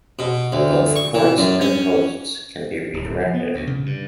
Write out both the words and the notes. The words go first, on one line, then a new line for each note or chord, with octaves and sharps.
Both ports and hosts can be redirected.
B2
D2
C#6
E3
F#2
C#4
D1
F3
B3
D2
C#3
G2